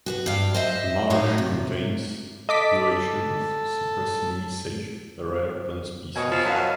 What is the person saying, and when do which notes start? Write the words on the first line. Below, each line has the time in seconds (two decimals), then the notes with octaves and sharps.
The marsh contains a population of Cypress Knee Sedge, a rare plant species.
0.06 F#4 G4 B4
0.26 G2 F5 G5
0.54 C5 D#5 E5
1.10 A2 F#3 D#4 F#4 F5
1.38 C3
2.49 A4 D#5 D6 B6
6.15 B2 C#5 D#5 G#5
6.31 F3
6.45 F#2 F5 A5